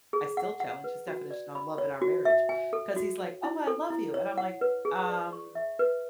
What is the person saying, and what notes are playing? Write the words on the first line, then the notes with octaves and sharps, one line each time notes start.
I still challenge his definition on love in our marriage, 'cause he's, like, "Oh, I love you." And I'm, like, "Um,
G#4
F#5
F#5
B4
F#4
D5
B5
C#5
F#4
E5
G#5
A4
F#4
C#5
E4
A4
E4
C#5
F#5
B4
G#4
D5
C#6
E5
B4